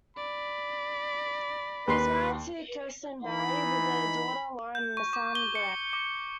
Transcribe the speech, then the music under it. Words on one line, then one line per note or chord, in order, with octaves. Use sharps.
He is married to Kerstin Barry, with a daughter, Lauren and a son, Grant.
D5 B5
D#2 B4 C6 C7
E3 D#4 B5
G6
C#6
D6
G7
C#7
D6